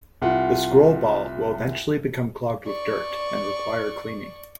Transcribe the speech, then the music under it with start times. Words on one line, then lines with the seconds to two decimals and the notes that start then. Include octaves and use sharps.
The scroll ball will eventually become clogged with dirt and require cleaning.
0.22 C2 F4 F#5
2.65 D5 C#6